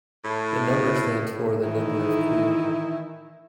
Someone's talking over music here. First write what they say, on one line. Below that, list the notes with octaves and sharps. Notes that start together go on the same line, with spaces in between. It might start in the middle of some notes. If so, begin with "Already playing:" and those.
The number stands for the number of crew.
A2
D#3 E3 D#4 E4